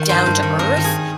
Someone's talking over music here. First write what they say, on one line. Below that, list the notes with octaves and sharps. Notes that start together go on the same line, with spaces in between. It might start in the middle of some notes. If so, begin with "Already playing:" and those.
down to earth.
Already playing: D#3
G2 C5
G2
D#3
G2 A#4
D#3
G#4